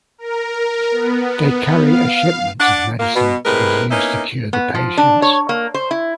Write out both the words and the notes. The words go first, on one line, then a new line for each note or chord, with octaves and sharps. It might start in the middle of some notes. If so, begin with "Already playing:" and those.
They carry a shipment of medicine to be used to cure the patients.
A#4
B3
F5
D4 D5 F#5
A#2 A#3
B2
A2 C3 G#3 A#4 B4
A#3 B3 C#4 D#4 E4
B3
F3
D4
C#5
A#3
C5
E4